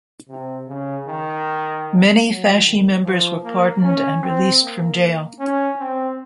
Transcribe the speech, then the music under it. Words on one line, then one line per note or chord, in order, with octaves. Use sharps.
Many Fasci members were pardoned and released from jail.
C3
C#3
D#3
F#3
D#3
F3
A#3
C#4
C4
A#3
C#4
C4